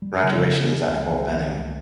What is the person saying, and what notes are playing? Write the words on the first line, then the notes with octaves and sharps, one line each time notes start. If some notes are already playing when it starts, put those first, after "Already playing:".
Graduation is at Fort Benning.
G3
C#3
D4
D4
C#2
E3
C#2
C#2